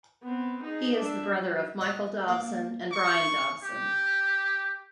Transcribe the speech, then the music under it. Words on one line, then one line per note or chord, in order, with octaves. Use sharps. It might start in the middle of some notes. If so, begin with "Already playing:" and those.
He is the brother of Michael Dobson and Brian Dobson.
B3 C4
D#4 G#4
D4 E5
F#3
D#5
A#3
C#6
G4